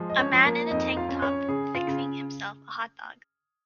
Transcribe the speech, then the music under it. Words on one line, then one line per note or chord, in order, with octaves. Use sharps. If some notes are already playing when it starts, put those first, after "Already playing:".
A man in a tank top fixing himself a hotdog.
Already playing: F3 G#3
D#5
C#4 C#5
F3
A#3 A#4
F2 D#4 D#5
F4 F5
C#4
C#4 C#5
C#3 G#4
F4
C#3